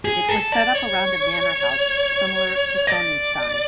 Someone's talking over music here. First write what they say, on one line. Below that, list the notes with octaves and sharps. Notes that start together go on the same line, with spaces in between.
It was set up around a manor house similar to Sonnenstein.
G#4
A4
D5
C#5
D5